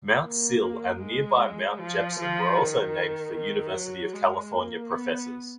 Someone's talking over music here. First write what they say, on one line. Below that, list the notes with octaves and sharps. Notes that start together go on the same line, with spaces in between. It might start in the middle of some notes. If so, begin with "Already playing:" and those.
Mount Sill and nearby Mount Jepson were also named for University of California professors.
A#3
G#3
F3
F3
D#3
D#3
F#3
G#3
A#3
B3